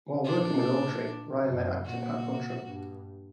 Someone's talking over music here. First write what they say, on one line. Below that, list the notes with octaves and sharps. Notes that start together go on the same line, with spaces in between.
While working with Autry, Ryan met actor Pat Buttram.
A#2 D4
F#2
A#2 F#4
G2